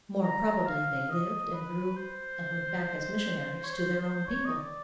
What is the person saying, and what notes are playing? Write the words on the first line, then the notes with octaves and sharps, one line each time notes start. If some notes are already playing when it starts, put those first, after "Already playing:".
More probably they lived and grew, and went back as missionaries to their own people.
A#5
F5
D#5
B4
C5
C#5
C5
C5
C#5
D#5
D5